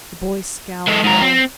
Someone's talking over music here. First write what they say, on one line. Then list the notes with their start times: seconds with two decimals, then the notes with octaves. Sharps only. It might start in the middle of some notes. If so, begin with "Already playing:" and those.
The boy scowled a little.
0.87 G#3 A4
1.04 G#2 A#4
1.21 C4